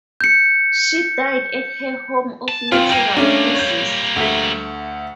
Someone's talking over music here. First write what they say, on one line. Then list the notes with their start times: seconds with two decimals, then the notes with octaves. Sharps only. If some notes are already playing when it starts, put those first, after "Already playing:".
She died at her home of natural causes.
0.21 G6 C#7
2.48 A5
2.72 G2 C#3 C4 F4
2.90 G3 A#3 G5 D#7
3.17 A3 C#4 D4
3.55 C#5 G6
4.16 D2 A3